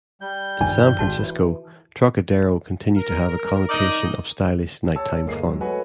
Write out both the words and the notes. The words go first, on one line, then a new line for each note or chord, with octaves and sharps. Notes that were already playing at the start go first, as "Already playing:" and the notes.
In San Francisco, "Trocadero" continued to have a connotation of stylish nighttime fun.
G3 G6
G2 D#3 F3 G#5
G#1 G#2 F#4 A5
E3
A#4
D#4 D5 D#5
C#5 A5 E6
G1 A3 A#3 G#4 D#5 C7
F#3 G#3
A3 F#4 B4 C#5 D#5 G#5